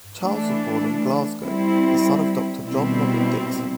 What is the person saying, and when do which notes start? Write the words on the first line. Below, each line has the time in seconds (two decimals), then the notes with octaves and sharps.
Charles was born in Glasgow the son of Doctor John Robert Dickson.
0.19 E3 A3 D4
1.42 G3 C4 E4
2.66 B2 G3 C4 E4